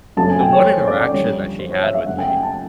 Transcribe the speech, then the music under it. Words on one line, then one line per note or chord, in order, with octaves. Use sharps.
the one interaction that she had with me
F#2 C#3 F#3 A3 C4 A5
G#5
G5
C#5
C5
C#5
D5
D5
F2 D3 G3 C#5
C5
C#5
E5
E5
F#2 C#3 F#3 A3 C#4 F#5
G5
G#5
A5